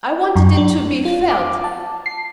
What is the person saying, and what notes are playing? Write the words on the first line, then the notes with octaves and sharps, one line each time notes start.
I wanted it to be felt....
F#2
D4
F4
D6
A5
C7